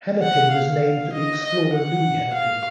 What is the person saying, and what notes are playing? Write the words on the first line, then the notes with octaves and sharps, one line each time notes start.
Hennepin was named for the explorer Louis Hennepin.
F#5
F5
D#5
D#5
F#5
F5